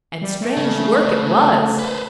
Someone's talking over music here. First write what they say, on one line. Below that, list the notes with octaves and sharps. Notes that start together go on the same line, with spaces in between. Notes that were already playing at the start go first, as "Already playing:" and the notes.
And strange work it was!
G3
A3
C#3
B4 C5